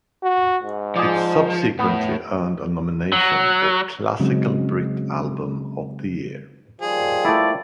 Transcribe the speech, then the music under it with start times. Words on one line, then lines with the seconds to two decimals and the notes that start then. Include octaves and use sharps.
It subsequently earned a nomination for Classical Brit Album of the Year.
0.23 F#4
0.64 G#2
0.96 F3 G#4 D5
1.79 A2 B3
3.12 F#3
4.20 C#3 F#3 G#3 C4 D#4
6.82 D#2 F3 G3 G#4
7.25 A3 E4 D5